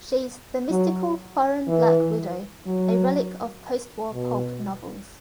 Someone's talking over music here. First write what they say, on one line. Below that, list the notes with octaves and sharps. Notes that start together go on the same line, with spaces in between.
She's the mystical, foreign black widow, a relic of postwar pulp novels.
F#3
E3
F#3
B2